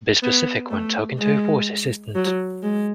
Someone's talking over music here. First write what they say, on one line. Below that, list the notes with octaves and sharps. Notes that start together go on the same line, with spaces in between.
Be specific when talking to a voice assistant.
B3
A3
G#3
F#3
G#3